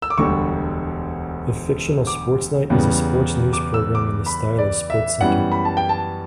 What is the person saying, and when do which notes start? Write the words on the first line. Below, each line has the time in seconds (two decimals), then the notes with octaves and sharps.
The fictional "Sports Night" is a sports news program in the style of "SportsCenter".
0.02 E6
0.10 D6
0.18 E1 D2 D3 G3 C#6
2.07 D6
2.70 E2 C#3 G3 B3
3.53 D6
3.74 E6
3.95 D6
4.26 B5
4.58 D5
4.90 E5
5.21 F#2 E3 G3 B3 F#5
5.52 B5
5.65 A5
5.77 G5
5.89 A5